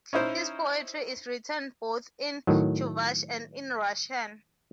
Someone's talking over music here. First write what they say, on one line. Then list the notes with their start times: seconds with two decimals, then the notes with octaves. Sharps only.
His poetry is written both in Chuvash and in Russian.
0.13 C#4 D#4 E4 C5
2.47 A2 D#3 F#3